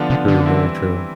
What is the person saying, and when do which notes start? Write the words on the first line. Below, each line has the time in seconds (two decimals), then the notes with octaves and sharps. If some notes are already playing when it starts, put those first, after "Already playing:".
True, very true.
Already playing: D3 F3 B3 D4 F4
0.10 C3
0.28 D3
0.46 E3 G3 C4 E4